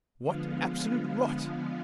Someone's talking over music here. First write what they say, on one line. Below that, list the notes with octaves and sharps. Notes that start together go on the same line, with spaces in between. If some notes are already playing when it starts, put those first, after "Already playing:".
'What absolute rot!
D3 F3 G#3 B3 F5
F5